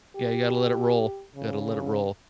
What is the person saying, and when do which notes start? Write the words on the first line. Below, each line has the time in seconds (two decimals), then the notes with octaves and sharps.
Yeah, you gotta let it roll. You gotta let it roll.
0.16 G4
1.36 C#3